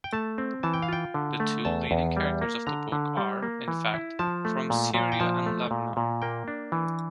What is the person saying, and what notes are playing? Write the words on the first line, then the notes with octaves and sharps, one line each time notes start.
The two leading characters of the book are, in fact, from Syria and Lebanon.
G5
A3 A5
C4
E3 A5
G5
F5
F4 G5
D3
A3
E2 A5
E2
G3
A#3
D3 A#5
D3
G3
A#3
E3
E4
F3 A5
A3
A#2
A#2
G5
F3 A5
A3
A#2
A#2
A#3 G5
D4
E3